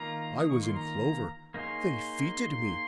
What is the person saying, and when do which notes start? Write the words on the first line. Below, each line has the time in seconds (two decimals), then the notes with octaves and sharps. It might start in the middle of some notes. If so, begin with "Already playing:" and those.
I was in clover. They fêted me.
Already playing: D#3 A#3 F4 A#5
0.37 D#6
0.49 C#6
0.62 C6
0.74 A#5
1.54 A#3 D#4 G#4 C#5 C6